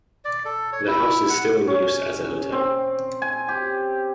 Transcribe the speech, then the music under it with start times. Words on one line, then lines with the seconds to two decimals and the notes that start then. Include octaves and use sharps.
The house is still in use as a hotel.
0.25 D5
0.45 A4
0.73 C#5
0.87 E4
1.29 F#5
1.67 C#4
2.52 C4
3.22 G#5
3.48 G4